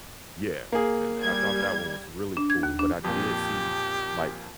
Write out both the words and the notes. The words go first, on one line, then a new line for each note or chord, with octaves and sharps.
Yeah, and I thought that one was really cool, but I did see, like,
A#3 G#4
G3 G#6
D4
G#6
D#2
D4
F2 A#2 G4